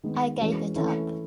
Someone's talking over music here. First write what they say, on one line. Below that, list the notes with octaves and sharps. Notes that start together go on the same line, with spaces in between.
I gave it up.
D#3 G#3 B3
E3 G#3 C#4 F#4
E3 A3 C#4 E4 A4